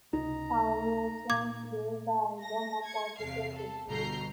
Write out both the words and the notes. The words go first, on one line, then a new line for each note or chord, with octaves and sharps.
Allmusic gave the album a positive review.
C#2 C3 D#4 A#5
A#2 A#3 D6 G#6
A#6
G#6 C#7
E2 C3 F5 C7
A4
G1 B2 A#5 G6 C7